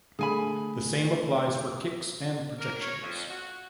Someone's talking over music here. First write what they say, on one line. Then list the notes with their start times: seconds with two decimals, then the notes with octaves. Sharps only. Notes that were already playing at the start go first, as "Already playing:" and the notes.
The same applies for kicks and projections.
0.19 D3 A3 G#4 G#5 B5
2.59 A#4
2.80 C#5
3.02 F2
3.30 F#4